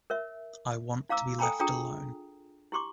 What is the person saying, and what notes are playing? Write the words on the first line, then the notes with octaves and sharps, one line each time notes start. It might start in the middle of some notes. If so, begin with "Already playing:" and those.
I want to be left alone.
A#4 C#5 E5
E4 F5 A#5 D6 E6
A4 G5 G#5 A#5 B5
D4 F4 G#4 G5 A#5 D#6
E4 G4 C6 D6